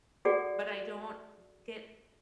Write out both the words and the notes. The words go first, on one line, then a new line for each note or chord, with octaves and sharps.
but I don't v get
F#4 G#4 A4 D5 F#5